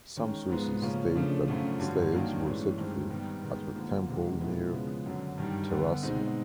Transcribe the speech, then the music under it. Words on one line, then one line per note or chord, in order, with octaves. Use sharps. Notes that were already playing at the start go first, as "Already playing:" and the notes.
Some sources state that slaves were set free at her temple near Terracina.
D#3 G#3 C#4
G#2 F3 G#3 B3
C#3 F3 A#3 C#4
C#3 F3 A3 D4
F#2 C#3 F3 A3 C#4
G2 D3 F#3
G2 D#3 F#3 A#3
A2 E3 G#3 C#4
G2 D#3 G#3 C4
D#3 G3 B3
D#3 G#3 B3
D3 F3 A#3
E2 C3 D#3 G#3
B2 G#3 B3 E4
C#3 F3 G#3 B3
F#2 D3 F#3
G2 D#3 G3
D3 G3 B3
B2 G#3 C4 D#4